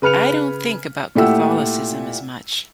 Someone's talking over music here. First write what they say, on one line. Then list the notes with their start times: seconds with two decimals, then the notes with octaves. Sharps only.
I don't think about Catholicism as much.
0.02 C#3 B4 F6 C#7 F7
1.15 A#2 A3 E4 G4 F#5 E6